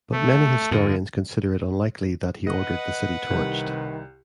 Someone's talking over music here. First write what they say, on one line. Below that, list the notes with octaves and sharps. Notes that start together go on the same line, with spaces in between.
But many historians consider it unlikely that he ordered the city torched.
A3
F2 D3
B4 D#5 F#5
C2 C3 D#3